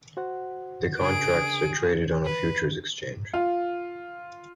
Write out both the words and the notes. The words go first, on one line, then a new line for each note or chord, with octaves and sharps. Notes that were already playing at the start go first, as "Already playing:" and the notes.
The contracts are traded on a futures exchange.
F#4 C5 F#5
C#3 D4 G#4 A#4 D7
B4
F4